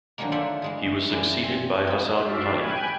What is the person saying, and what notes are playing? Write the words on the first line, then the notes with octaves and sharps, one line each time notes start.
He was succeeded by Hassan Rouhani.
D3 D#3 F3 F#3 G#3 A#3
F4 A4 C5 D5 E5 F#5
E3 G#3 G#4
F#2 E3 D5 G#5
C4 G#5
C4 E4
F#4 D5 E5 F5
G5 G#5 B5 F#6 G#6